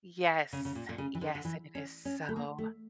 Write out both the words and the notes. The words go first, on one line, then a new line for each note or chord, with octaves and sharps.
Yes, yes, and it is so
C#3
C#3
A#2
A#2
C#3
E3
D3
D3
E3
C#4
C#4
A3
A#3
A3